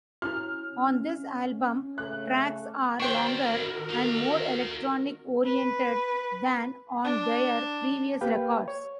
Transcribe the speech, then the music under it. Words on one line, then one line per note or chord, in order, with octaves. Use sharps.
On this album, tracks are longer and more electronic-oriented than on their previous records.
C#4 E4 F#4 F6
C#3 A3 F#6
D#3 D4 E4 F#4 A#4 C5 G5 C#6
D#4 F5
B4
D4
A#3 G4 B4 F5 G5
C#5